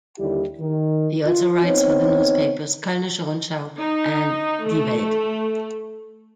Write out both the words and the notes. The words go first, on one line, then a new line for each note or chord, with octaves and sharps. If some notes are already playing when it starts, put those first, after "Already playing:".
He also writes for the newspapers Kölnische Rundschau and Die Welt.
D#2 D3 G3 E4 G4
D#3
F4
B3 C4 D#4 C#5
D#4
A3